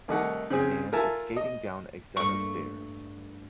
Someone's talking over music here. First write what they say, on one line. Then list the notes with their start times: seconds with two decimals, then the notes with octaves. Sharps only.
A man is skating down a set of stairs.
0.08 C2 D#3 A3 D#4 F#5
0.50 C#3 C4 G#4
0.92 F4 A4 A#4 E5 G#5 A5
1.37 D#5
2.17 G2 A3 A#3 C#6